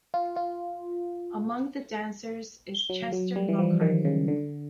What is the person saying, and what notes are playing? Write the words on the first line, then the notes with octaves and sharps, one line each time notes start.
Among the dancers is Chester Lockhart.
F4
F4
F#3
F#3
G3
E3
F3
D#3
C#3
D3